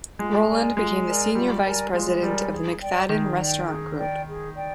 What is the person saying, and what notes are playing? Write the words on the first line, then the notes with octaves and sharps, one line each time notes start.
Roland became the senior vice president of the McFaddin restaurant group.
G#3 F4
A#4 D5 G#5
G#3 F4
A#4 D5 G#5
G3 F4
A#4 D5 G#5
G#3 F4
G3 A#4 D5 G#5
G#4
D5 G5
D#3 G#4
D5 G5
G#4
D5 G5
G#4
D5 G5